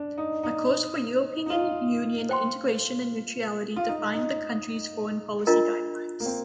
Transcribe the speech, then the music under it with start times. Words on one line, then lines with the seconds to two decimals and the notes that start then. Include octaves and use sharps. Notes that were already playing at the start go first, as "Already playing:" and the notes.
A course for European Union integration and neutrality define the country's foreign policy guidelines.
Already playing: D4
0.18 D#4
0.43 D#4
1.46 D#4
1.50 F4
2.29 C5 G5 C6
3.76 F4
3.88 D#4
4.14 D#4
5.47 D4 F4 A#4 D#5 A#5
6.20 A#3
6.26 C4